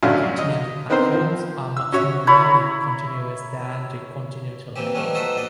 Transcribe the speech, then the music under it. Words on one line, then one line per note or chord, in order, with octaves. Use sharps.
The continental platforms are much more nearly continuous than the continental lands.
F#2 F#3 A3 C#4 D4 F5
D#5
B3 C4 D#4 A#4 C5
F3
E6
C#4 F#4 C#5 E5
E4 C#5 A#5 B5
A#2 E3 C4 G4
D#3 F3 G3 A3 B3 C#4
D#4 F#4 A4 B4 C5 E5
A#1 B2 D5 D#5